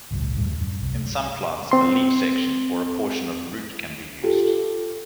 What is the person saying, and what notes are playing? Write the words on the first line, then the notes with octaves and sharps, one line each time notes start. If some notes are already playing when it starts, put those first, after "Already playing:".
In some plants, a leaf section or a portion of root can be used.
G#1 C#2 F#2 A#2
G1 D#2 A2 G3
F#2
C2
C4 C6
F4 G4 A4